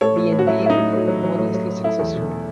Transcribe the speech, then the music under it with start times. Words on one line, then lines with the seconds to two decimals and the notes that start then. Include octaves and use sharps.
The endeavor proved modestly successful.
0.01 A2 A4 C#5
0.17 A2
0.32 A2
0.39 F#4
0.47 F#3 E4
0.62 A2 E4
0.70 D#4
0.77 A2
0.93 A2
1.08 F#3
1.23 F#3
1.38 A2
1.54 F#3
1.69 F#3
1.84 A3 E4
1.99 E2
2.15 B2
2.30 A3